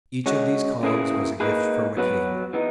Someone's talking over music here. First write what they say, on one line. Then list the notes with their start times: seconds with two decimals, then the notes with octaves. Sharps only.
Each of these columns was a gift from a king.
0.26 G#3 C#4 F#4
0.83 C#3 E3 A#3 E4 G#4
1.40 A#3 D#4 G#4 B4
1.97 F#3 B3 F#4 B4
2.53 E3 B3 D#4